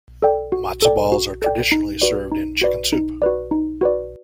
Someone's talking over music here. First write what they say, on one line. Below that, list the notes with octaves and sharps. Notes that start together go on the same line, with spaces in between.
Matzah balls are traditionally served in chicken soup.
A4 D5 G5
F#4
A4 D5 G5
F#4
A4 D5 G5
D#4
F#4 B4 D5
D#4
F#4 B4 D5
D#4
F#4 B4 D5
D#4
F#4 B4 D5